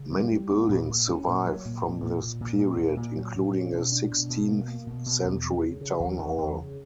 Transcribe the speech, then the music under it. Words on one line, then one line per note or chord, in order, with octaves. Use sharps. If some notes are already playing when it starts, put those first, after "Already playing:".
Many buildings survive from this period, including a sixteenth-century town hall.
Already playing: C#3
G3
G3
B3
A#2
A#2
C#4
A#2
F#3
A#2
A#2
A#2
A#2
A#2
A#2
A#2
A#2
F#3
A#2
C#4
B2
D4
B2
B2
A#3
A#3
B2
B2
E2
E2
C#3
C#3
E2
E2
E2
C#3